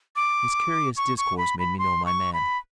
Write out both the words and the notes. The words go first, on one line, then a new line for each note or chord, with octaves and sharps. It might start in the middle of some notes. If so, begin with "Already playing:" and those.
This curious discourse made me know my man.
D6
C#6
C#6
B5
B5
C6
C#6
B5